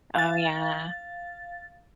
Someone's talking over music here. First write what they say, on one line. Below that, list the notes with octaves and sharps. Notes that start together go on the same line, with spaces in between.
Oh, yeah.
F5 A6